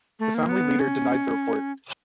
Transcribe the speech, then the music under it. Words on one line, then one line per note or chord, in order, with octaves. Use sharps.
The Family Leader denied the report.
A3
A#3
B3
C#4